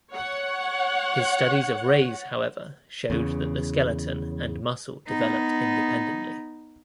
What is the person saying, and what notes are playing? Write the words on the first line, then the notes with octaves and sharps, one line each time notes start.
His studies of rays however showed that the skeleton and muscle developed independently.
C#5 F#5
E2 C#3
B3 D#4